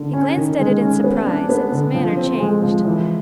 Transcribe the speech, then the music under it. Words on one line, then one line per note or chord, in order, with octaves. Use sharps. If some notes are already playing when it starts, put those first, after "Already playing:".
He glanced at it in surprise and his manner changed.
Already playing: D3
C#4
D#3
G#3
C#4
B3
D4
B3
D3
F3
C4
G#3
F3
E3